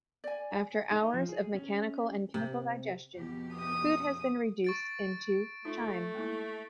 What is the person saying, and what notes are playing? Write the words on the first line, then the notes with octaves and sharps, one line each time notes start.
After hours of mechanical and chemical digestion, food has been reduced into chyme.
D5 G#5
D#4
F3
G#4
C#4
C3
F2 B2 G4
D#6
C#6 A6 D7
A3 D#4 F4
G#3 A#3 E4